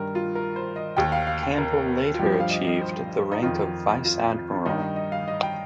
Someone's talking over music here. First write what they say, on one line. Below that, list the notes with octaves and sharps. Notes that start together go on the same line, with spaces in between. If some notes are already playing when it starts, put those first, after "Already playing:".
Campbell later achieved the rank of vice admiral.
Already playing: G2 D#3 A#4
F4
A#4
C5
D#5
D#2 D#3 G5
F5
F5
G5
A#4
F4
G2 F3 G4
F5
D#5
D#5
C5
D#4
F2 D#3 F4
F4
G2 D#3 D#4
D#5
F5
D#5
G5